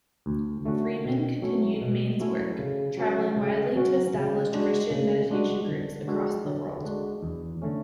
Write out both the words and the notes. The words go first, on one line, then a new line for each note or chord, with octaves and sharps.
Freeman continued Main's work, travelling widely to establish Christian meditation groups across the world.
D2
D3 A3 C#4 F#4
B2
F#3 A3 C#4 E4
B2
F#3 A3 C#4 E4
C#3
F#3 C#4 F#4
C#3
F#3 C#4 F#4
C#3
G#3 D4 F#4
C#3
G#3 D4 F#4
D3
G#3 D4 F#4
D3
G#3 D4 F#4
E2
D3 A3 C#4